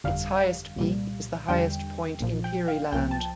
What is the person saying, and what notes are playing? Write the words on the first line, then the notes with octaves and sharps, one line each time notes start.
Its highest peak is the highest point in Peary Land.
G1 F2 D3 G3 F5
C2 A#2 G3
E2 D3 G3 G5
A#1 A#2 F3
G5
F5
C2 A#2 F3 G5
A5